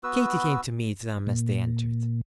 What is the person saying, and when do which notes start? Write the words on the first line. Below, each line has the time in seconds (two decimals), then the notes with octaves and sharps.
Katy came to meet them as they entered.
0.04 B3 F#4 B4 E6
1.27 A#2